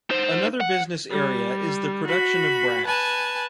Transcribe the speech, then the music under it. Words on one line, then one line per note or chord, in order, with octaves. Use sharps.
Another business area is the production of brass.
D#4 C5
F#5
G3
F#4 B5
B4 G#5 A5